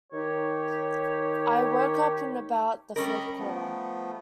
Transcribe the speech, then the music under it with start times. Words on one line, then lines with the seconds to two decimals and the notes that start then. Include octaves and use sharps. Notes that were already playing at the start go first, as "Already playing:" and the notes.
I woke up in about the third quarter.
0.13 D#3 D#4 G4 C#5
2.96 G3 C#4 A#4 D#5 B5
3.39 F3 A3 B3